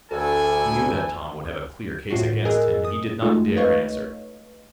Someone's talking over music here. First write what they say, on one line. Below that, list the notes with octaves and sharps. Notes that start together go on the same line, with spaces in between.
He knew that Tom would have a clear case against him, and he did not dare answer.
D2 E4 A4 G#5
A2 F4 F#4 C7
G#4 A#4 D#5 G#5 E6 F#6
D#6
G#3 A3 D#4 F4 F#4 A4
B4 C#5 D#5 F5 C#6